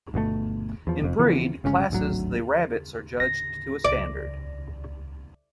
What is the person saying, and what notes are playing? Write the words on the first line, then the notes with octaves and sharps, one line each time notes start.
In breed classes the rabbits are judged to a standard.
G1 B2 D#3 A3
E2 F3
F1 F2
C#3 E3 F3 B3
G1 C#3 G#3 C#4
D1 G#1 D2 F#3
A2 D3 A#6
C#2 D5